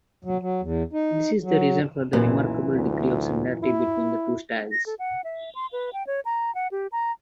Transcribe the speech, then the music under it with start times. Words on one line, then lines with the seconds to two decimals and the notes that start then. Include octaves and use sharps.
This is the reason for the remarkable degree of similarity between the two styles.
0.25 F#3
0.41 F#3
0.62 E2
0.93 D#4
1.43 F#3
2.13 B1 F#2 A#2 E3
2.75 D2
3.63 E4
4.72 A#6
4.86 A4
4.99 F#5
5.24 E5
5.55 C6
5.73 B4
5.93 G5
6.07 C#5
6.25 A#5
6.55 F#5
6.72 G4
6.92 A#5